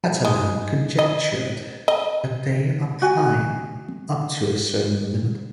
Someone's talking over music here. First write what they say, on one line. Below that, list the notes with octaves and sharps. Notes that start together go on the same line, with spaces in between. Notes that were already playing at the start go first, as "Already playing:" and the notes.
Catalan conjectured that they are prime "up to a certain limit".
G#3
D#5
D#5
F#4 G#5